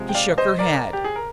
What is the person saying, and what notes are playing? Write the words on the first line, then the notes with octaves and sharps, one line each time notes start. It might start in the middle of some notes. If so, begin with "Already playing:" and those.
She shook her head.
Already playing: C3 F3 G#3
G5
D5 F5
C5 D#5
A#4 D5
G4
G#4
A#4